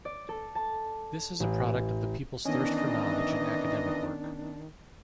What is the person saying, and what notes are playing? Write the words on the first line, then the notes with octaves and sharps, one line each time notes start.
This is a product of the people's thirst for knowledge and academic work.
D5
A4
A5
A1
D#3 E3 B3 C#4 D4 D#5